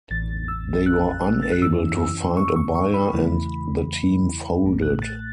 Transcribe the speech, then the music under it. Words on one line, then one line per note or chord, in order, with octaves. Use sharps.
They were unable to find a buyer and the team folded.
A1 A2 E3 A6
E6
F#6
A6
F#6
F#2 E3 C#4 E4 E6
C#6
C#6
C#6
B5
E2 C#3 E3 A3 E4
A1 A2 A3
F#6
A6